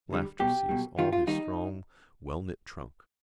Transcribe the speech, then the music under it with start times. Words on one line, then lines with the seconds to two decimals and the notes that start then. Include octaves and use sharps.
Laughter seized all his strong wellknit trunk.
0.10 D2 D3 G3
0.39 B1 B2 G3 G4
0.69 B1 B2 G3
0.98 D#2 D#3 G3 F4
1.13 F4
1.27 D#2 D#3 G3 D#4